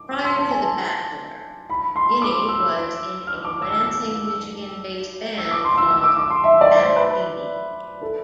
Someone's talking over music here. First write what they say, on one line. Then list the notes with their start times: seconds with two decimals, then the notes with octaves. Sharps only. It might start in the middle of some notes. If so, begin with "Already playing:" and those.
Prior to "The Bachelor", Guiney was in a Lansing, Michigan-based band called "Fat Amy".
Already playing: D6
0.11 E6
0.24 C6
0.38 A5
0.51 G#5
0.64 A5
1.70 B5
1.96 C6
2.22 D6
2.49 E6
3.27 F6
3.45 D6
3.62 E6
3.80 E6
3.97 E6
4.16 E6
5.38 E6
5.51 D6
5.65 C6
5.78 E6
5.90 E6
6.04 D6
6.17 D6
6.30 C6
6.44 E5
6.61 D5
6.78 C5
6.96 B4
8.02 A4